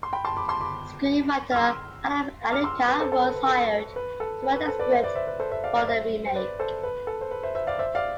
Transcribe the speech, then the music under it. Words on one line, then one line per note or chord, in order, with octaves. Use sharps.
Screenwriter Adam Alleca was hired to write the script for the remake.
C6
G5 B5
A5 C6
B5 D6
A5 C6
B5 D6
F6
C6 E6
D6 F6
C6 E6
B4
A4 C5
A4 C5
B4
B4
A4
B4
A4
B4
B4
A4 C5
B4 D5
C5 E5
B4 D5
C5 E5
B4
A4 C5
C5 E5
D5 F5
D5 F5
C5 E5
C5
B4 D5
A4 C5
B4
A4
C5
B4
C5 E5
C5 E5
D5 F5
C5 E5
D5 F5